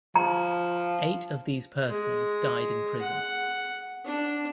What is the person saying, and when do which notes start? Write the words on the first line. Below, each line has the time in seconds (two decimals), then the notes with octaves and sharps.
Eight of these persons died in prison.
0.16 F3 A#5
1.88 G#3
3.01 F#5
4.05 D4